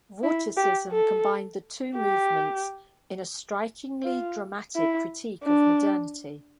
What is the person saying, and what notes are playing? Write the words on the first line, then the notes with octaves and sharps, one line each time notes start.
Vorticism combined the two movements in a strikingly dramatic critique of modernity.
E4
G4
A4
G4
F4
E4
D4